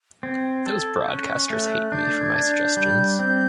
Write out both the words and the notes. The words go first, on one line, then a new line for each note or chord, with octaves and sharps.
Those broadcasters hate me for my suggestions.
C4 G#6
A4
G6
C#4 F#6
A3
F#6
D4 G6
G#6
D4
G6
G3 G6
C4 G6